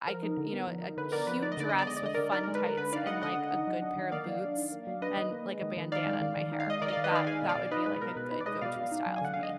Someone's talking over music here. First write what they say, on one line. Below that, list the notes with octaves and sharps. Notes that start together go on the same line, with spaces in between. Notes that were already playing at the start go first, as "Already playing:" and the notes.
I could, you know a cute dress with fun tights and, like, a good pair of boots and, like, a bandana in my hair. Like that that would be like a good go-to style for me.
F3 A#4
D#4
D3
B3
F3
D#4
D3 B4
B3 A#4 D5
F3 B4
D#4 D5
D#5
D3 D5
B3 D#5
D5
G#3 D#5
D5
D3 D#5
D3 A#4 D5
D#4 A#4 D5
G#3 A#4
B4
D3 A#4
D3 B4
D#4 D5 F5
G#3 D#5 F#5
D3 D#5 F#5
D3
D#4
F#3
D4
D#3
A#3 D5 F5
F#3
D4
D#3
A#3
F#3
D4 B4 D#5
D#3
A#3
G#3
D#3
D#3
D#4 D5 F5
G#3
D#3
D#3
D#4
F5
G#3 D#5
D#3 A#4 D5
D#5
D#3 D5 F5
B4 D#5
D#4 D5 F5
G#3 F5 G#5
B2
D5 F5
B2
D#4 B4 D#5
G#3 B4
B2 A#4
B2 B4
D#4 B4
D5
G#3 B4 D#5
B2 D5 F5
B2
D#4
F#3
G#5
D3 F#5
D3 F5
D#5